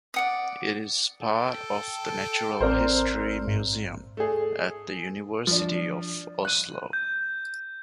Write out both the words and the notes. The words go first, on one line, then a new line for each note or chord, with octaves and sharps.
It is part of the Natural History Museum at the University of Oslo.
D5 F#5 D#6
A4 G5
A1 C4 A#4 C5 D5
G#2
A3 G#4
F3 D4
F#6 D#7
G6